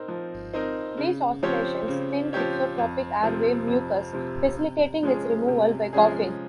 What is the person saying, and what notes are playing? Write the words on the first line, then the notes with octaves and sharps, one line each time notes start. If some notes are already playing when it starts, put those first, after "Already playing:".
These oscillations thin thixotropic airway mucus, facilitating its removal by coughing.
Already playing: C4 D#4 A#4
F3
C4 D#4 A#4
C#3
F3 C4 G4 C#5
C#3
F3 C4 G4 C#5
F2
C3 F3 C4
F2
C3 F3 C4
C3
F3 G#3 C#4 G#4
C3
F3 G#3 C#4 G#4